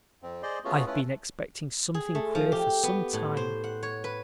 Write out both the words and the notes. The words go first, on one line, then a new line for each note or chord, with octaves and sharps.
I've been expecting something queer for some time.
F2 C4
G#4 C5 D5 D#5 C6
A3 B3 C#4 F4 F#4 G#4
A3 C#4 E4 F4 B4
G#4
A3
F3
G4
B3
A2
C5
F#5
C#5
B4